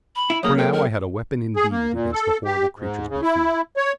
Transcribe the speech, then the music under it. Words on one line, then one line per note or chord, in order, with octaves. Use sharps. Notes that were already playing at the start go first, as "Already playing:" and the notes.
For now I had a weapon indeed against the horrible creatures we feared.
B5
E4
F#2 A#3 G#4 C#5 D#6
A4 A#4 G5
A#4 G5
G#4
A#3
A#2
A4
G4
G#2
C#3
E4
C#5